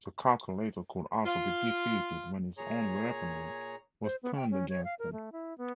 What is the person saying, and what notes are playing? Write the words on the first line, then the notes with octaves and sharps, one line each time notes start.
The Calculator could also be defeated when his own weaponry was turned against him.
F4
A#2 G#4 C#5 A#5
C5
B3
G5
C#4
C#5
F5
A#4
A3
E4
B3